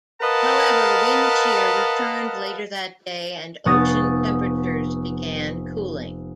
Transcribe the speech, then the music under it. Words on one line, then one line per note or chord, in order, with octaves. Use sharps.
However, wind shear returned later that day and ocean temperatures began cooling.
A#4 B4 D#5 F5 F#5 A5
F1 B3 C#6 D#6 A6 A#6